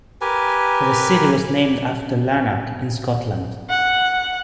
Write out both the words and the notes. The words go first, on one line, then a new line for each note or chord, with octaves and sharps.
The city was named after Lanark, in Scotland.
G4 A#4 B4 G#5
F#5